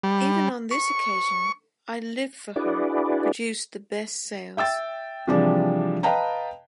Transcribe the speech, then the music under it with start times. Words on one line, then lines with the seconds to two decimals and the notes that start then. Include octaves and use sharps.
Even on this occasion “I Live for Her” produced the best sales.
0.04 G3
0.71 C#6
2.56 D4 E4 F#4 G#4 B4 D5
4.57 E5 G5 E6 A6
5.27 C3 E3 F3 G3 D4 G#4
6.03 B4 D#5 F5 G5 A5 A#5